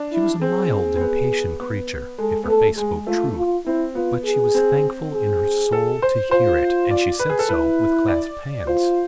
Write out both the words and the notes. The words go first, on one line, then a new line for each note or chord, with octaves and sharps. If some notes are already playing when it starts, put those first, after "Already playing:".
She was a mild and patient creature if her face spoke truth; but she was thankful in her soul to hear it, and she said so, with clasped hands.
Already playing: D4
E4
C4 G#4
C4
B3
B3
G#3 A4
B3
A3 A4
G#3 G#4
A3 F4
F4
C4 E4
B3 F4
G#4
C4
G#4
A4
C5
F4 C5
D5
B4
G#4
A4
E4 B4
D5
F4 C5